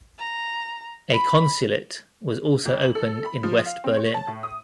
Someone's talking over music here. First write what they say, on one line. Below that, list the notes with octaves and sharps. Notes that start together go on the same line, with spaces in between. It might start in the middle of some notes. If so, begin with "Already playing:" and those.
A consulate was also opened in West Berlin.
A#5
B5
F2
F#7
A4
B5
F3
F5
C4
C#5
A5
A2
D#6